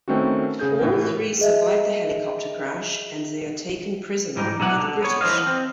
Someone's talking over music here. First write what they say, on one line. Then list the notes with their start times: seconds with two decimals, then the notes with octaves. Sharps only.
All three survive the helicopter crash, and they are taken prisoner by the British.
0.08 D#3 A3 C4 C#4 F#4
0.59 C#3 G#4 G6
0.79 A2 E3 A#4
1.39 G#4 D#5 E5
4.36 G#2 E3 G3 D#4
4.59 B1 D#4 E4 D5 F#5
4.78 D3
5.02 B3 C#5
5.21 E3 F3 C5 D#5 F5
5.46 C4